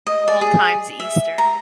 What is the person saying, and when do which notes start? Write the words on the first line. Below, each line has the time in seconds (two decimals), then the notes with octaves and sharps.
All times Eastern.
0.07 D#5
0.28 D5
0.41 G#4
1.00 E5
1.38 A#5